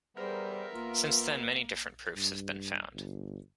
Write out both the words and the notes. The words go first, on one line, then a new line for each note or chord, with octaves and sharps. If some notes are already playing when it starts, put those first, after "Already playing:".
Since then, many different proofs have been found.
G3 B3 G#4 A#4 C5 E5
A#3 F4
G2
G1